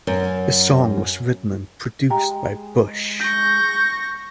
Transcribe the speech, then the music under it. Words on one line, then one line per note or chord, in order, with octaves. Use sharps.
The song was written and produced by Bush.
F#2
G#3 G4 G5 A#5
C#6 G6 A#6